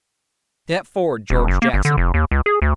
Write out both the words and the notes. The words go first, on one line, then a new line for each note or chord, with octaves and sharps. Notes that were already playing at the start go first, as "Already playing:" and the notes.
Step forward, George Jackson.
D#1
F#1
A#3
G1
D3
F1
D#2
C#2
G#4
D2